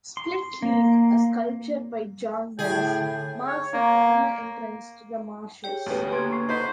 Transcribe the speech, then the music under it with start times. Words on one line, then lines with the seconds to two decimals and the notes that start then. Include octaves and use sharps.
"Split Leaf", a sculpture by Jon Mills, marks the formal entrance to the marshes.
0.17 C6
0.62 A#3
2.59 A2 D3 G#4 G5
3.47 C#5
3.74 A#3
5.64 G4 G#4 C#5 G5
5.86 D2 C#3 B3
6.12 A#3 C6 G#6
6.30 D3 C6 C#6 C7
6.49 D#4 B4 C5 F#5 B6